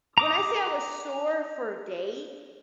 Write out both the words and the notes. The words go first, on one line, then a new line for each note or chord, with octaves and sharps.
when I say I was sore for days;
A#5 D6 D#6